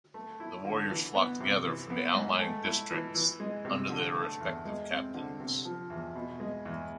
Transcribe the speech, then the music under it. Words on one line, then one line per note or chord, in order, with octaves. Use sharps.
The warriors flocked together from the outlying districts under their respective captains.
A3
E4
D3
E3
B3
C3
E3
B3
G#2
A3
E4
E3
E3
G#3
C3
D3
A3
E2
G#3
C4
D3
C3
F3
E2
B2
G#3
E2